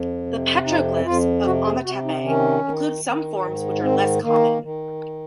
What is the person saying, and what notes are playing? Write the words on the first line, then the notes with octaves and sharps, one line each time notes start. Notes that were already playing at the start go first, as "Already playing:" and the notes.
The petroglyphs of Ometepe include some forms which are less common.
Already playing: F2
C3
F2 D#4
F2 F4
C3 F#4
G#4
C3 F#4
D#4
D#3 C#4
D#3
D#3
G#2
D#3 C4
D#3 A#3
D#3